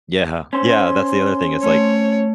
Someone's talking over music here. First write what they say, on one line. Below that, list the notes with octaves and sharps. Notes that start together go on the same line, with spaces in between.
Yeah. Yeah, that's the other thing, it's like,
C#4 C5 C6
A3 C#5